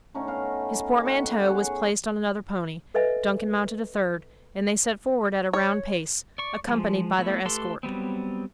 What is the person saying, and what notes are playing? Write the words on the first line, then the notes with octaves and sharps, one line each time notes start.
His portmanteau was placed on another pony, Duncan mounted a third, and they set forward at a round pace, accompanied by their escort.
D3 A3 C#4 D#4
B3 D#5 F5
F#4 F#5 G5
G#4 C#5
A4 B4 D#5 E5 G#5
C#5
D5 C#6
F3 G#3
A3 B3 E4
A3 G4 A4 B4 C6
F#3 G3 B3 C4